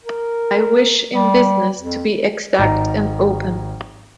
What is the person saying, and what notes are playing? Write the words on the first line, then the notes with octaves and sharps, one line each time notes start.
I wish in business to be exact and open.
A#4
G3
F2
G#1 D#4 A#5